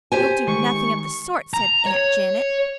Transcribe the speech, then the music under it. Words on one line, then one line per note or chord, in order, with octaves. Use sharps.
"You'll do nothing of the sort," said Aunt Janet.
G4 C5 G#5
D#3 G#3 C#6
A#5
C#5